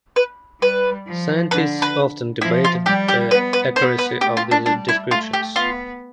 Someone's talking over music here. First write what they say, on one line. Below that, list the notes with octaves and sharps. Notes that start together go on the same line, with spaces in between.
Scientists often debated the accuracy of these descriptions.
B4
G3 B4
F3
D3 B4
B4
F3 E4
F4
G3 G4
G4
B3 B4
B4
B3 C5
B4
A3 G4
F4
D4
G3 D4
E4
A3 F4
G4
B3 F4